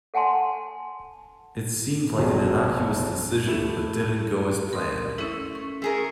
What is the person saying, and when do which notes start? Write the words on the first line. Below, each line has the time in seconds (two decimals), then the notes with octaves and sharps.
It seemed like an innocuous decision but didn't go as planned.
0.14 A4 F#5 G#5 A5 C6
2.19 F1 B1 F#2 G#4
3.47 A3 E4 G4 E7
4.73 A#4 C6 D#6
5.18 A3 C#4 E4
5.55 C#6
5.82 A3 G#4 A#4